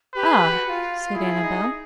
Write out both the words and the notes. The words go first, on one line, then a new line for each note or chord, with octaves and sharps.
"Ah!..." said Annabel.
G4 B4
G#4
G4
F#4
F#4
F4
E4 G#4
E4
D#4